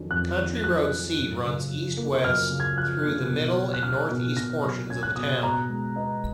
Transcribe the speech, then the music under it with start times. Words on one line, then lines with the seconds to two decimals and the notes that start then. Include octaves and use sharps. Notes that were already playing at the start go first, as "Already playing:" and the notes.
County Road C runs east-west through the middle and northeast portions of the town.
Already playing: F2 D#3 F#3 C#4
0.11 F2 F#6
0.38 D#3
0.64 F#3 F#6
0.92 C#4
1.18 F#2
1.44 C#3
1.71 F3
1.97 A#3
2.24 F#2 F6
2.50 C#3
2.60 G#6
2.77 F3 F#6
3.04 A#3
3.30 B2
3.57 F#3
3.74 F#6
3.83 C#4 F6
4.09 B2
4.36 B2 A#6
4.63 F#3
4.90 C#4 G#6
5.03 F#6
5.16 B2 D#6
5.43 B2 A#5
5.69 G#3
5.96 B3 D#5